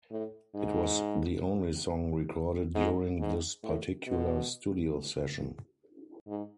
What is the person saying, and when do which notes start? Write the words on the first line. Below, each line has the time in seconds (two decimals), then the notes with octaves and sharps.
It was the only song recorded during this particular studio session.
0.11 A2
0.55 G#2
2.75 G#2
3.19 G#2
3.63 A2
4.07 B2
6.27 G#2